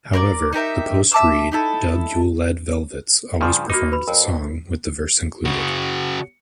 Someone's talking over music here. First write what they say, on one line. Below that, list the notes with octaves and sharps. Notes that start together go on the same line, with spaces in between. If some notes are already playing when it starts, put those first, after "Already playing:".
However, the post-Reed, Doug Yule-led Velvets always performed the song with the verse included.
A#4 C5 D5
D#4 G4 A#4 E5
E5 A5 D6 E6
D#4 E4 A4
G2 C#3 F3 G5 C6 D6
A#3 D#4 F#4 B5 D6
B4 B5
F2 A#4 C#5
C#3 F#4